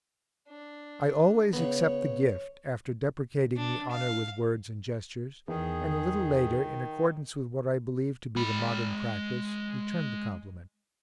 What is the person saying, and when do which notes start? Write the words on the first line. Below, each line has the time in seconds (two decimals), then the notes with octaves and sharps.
I always accept the gift, after deprecating the honour with words and gestures, and a little later, in accordance with what I believe to be the modern practice, return the compliment.
0.49 D4
1.53 C#3 B3 C#5
3.57 D4
3.91 F5
5.48 E2 D#3 G#4
8.36 G#3 B5